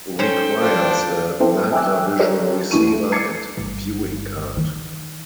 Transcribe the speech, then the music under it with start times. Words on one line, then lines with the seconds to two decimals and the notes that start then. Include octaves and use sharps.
Requires a Nagravision receiver and viewing card.
0.19 C#4 A4 C5 G5
0.61 F3 D4
1.40 B3 C4 E4 A4 G5
1.72 E5 G5 G#5 D6 E6 F#6
2.19 F4 G4 A4 A#4 C#5 D5
2.71 D#2 E3 D4 C#6 D#7
2.92 A3
3.12 D6 G#6 A6 C7 C#7
3.57 G1
4.57 D#3